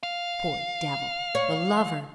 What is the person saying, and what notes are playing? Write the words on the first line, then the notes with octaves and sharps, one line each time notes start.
Poor devil--the lover!
F5
C#5